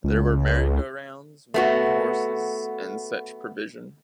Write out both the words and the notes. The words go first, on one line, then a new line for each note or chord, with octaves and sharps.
There were merry-go-rounds, wooden horses, and such provision.
C#2
A3 B3 F#4